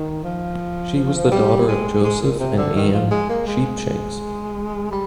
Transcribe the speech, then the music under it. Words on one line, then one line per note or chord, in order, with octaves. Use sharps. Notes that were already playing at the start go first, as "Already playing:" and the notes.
She was the daughter of Joseph and Ann Sheepshanks.
Already playing: D#3
F3
G3
G#3
G#3
A#2
C3
D3
D#3
F3
G#3
A#3
G#3
G3